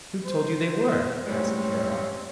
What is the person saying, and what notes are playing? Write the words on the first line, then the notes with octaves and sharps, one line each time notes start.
"Who told you they were?" asked Caroline.
C5
A2 G3 G#3 C4 C#4